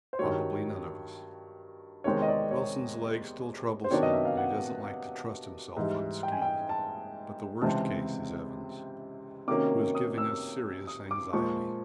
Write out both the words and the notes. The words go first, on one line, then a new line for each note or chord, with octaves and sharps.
Probably none of us: Wilson's leg still troubles him and he doesn't like to trust himself on ski; but the worst case is Evans, who is giving us serious anxiety.
C5
G2 D#3 F#3 C#5
E2 C3 D#3 G#3 C4 C#5
D#5
D5
C#5
C5
C3 D#3 F#3 B3 D4 C#5
D#5
E5
F5
F#5
G#2 E3 G3
G5
G#5
G5
A5
C#2 C3 E3 G#3 C4 A5
C3 D#3 F#3 A#3 C#4 D6
D#6
E6
D#6
D6
A#2 F3 G#3 C#6